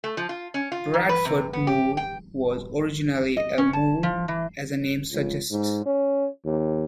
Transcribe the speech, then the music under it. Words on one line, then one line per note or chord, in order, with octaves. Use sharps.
Bradford Moor was originally a moor, as the name suggests.
A3
F3
F4
C#4
F4
D#3
B4
C3
B3
G4
G5
D#5
C#4
A5
F3
E3
C#2
G#2
C#4
D#2